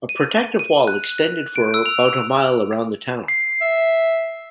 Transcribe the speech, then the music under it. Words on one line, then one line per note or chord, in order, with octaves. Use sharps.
A protective wall extended for about a mile around the town.
D#7
D#7
F#6
D7
E6
F7
C7
E5